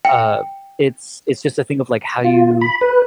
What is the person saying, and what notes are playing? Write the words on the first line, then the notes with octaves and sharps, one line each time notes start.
uh, it's it's just a thing of, like, how you
G5
F4
B5
B4